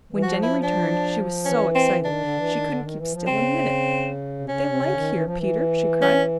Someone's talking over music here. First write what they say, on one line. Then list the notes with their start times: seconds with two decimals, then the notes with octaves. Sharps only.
When Jenny returned she was so excited she couldn't keep still a minute. "They like here, Peter!" she cried.
0.13 E3
0.23 F3 F#4
0.43 E4
0.63 D4
1.45 E3 C#4
1.75 C4
2.05 D#3 D4
2.21 D3
2.37 E3
2.51 D#3
2.66 D3
2.82 D#3
2.97 E3
3.12 F3
3.27 C#3 C4
4.39 C3
4.49 C#3 C#4
4.65 C3
4.80 C#3
4.88 D3
4.95 D#3
5.11 E3
5.24 F3
5.38 E3
6.02 C#4